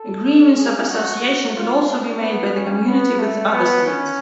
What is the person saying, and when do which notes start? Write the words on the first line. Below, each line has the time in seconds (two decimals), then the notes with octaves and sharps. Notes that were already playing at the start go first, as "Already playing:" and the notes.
Agreements of Association could also be made by the Community with other states.
Already playing: A4
0.57 G#4
0.90 F#4
1.22 F#4
1.55 F4
1.88 D4
2.21 B3
2.54 C#4
2.87 B3
3.20 A3
3.53 B3
3.86 C#4